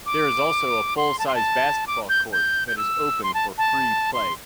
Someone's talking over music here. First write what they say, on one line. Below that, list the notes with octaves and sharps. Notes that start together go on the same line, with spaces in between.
There is also a full size basketball court that is open for free play.
D6
C6
A5
C6
A5
D6
G6
G6
G6
E6
C6
A5
A5
C6